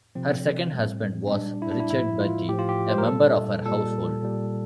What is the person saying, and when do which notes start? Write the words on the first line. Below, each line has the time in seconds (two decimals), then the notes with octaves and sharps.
Her second husband was Richard Bertie, a member of her household.
0.15 C3 F3 C4
0.74 A2 G3
1.27 C4
1.32 A#2 G3 D4
1.62 E4
1.71 D4
1.80 E4
1.90 A2 F3 E4
2.20 F4
2.48 A2 F3 G4
2.59 F4
2.69 G4
2.89 C5
2.98 A#4
3.07 A#2 G3 A4
3.65 A#2 G3 A4
4.24 A#2 G3